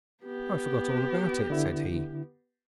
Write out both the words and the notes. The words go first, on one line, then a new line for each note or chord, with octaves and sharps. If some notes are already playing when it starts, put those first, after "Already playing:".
'I forgot all about it,' said he.
B3 G4
D3 E4